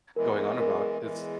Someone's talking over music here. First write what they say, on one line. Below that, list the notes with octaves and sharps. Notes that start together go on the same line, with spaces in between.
going on about it's
E2 E3 G#3 A#4
A#4
A#4
A#4
E2 E3 G#3